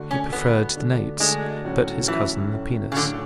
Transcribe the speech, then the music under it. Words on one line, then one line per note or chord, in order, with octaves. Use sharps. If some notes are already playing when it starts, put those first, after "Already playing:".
He preferred the nates, but his cousin the penis.
Already playing: D3 A3 D4 F#4
C#4
D3 A3 B3 D4 F#4
D3 A3 D4 F#4
D3 G#3 A3 D4 F#4
A2 F#3 C#4 F#4
A2 E3 F#3 C#4 F#4
A2 F#3 C#4 F#4
C#3
A2 D3 F#3 C#4 F#4